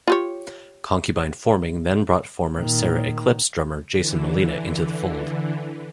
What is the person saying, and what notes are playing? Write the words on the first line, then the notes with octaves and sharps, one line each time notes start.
Concubine Forming then brought former Sera Eclipsed drummer Jason Molina into the fold.
F4 G4 C#5
A#2 D#3
D3 E3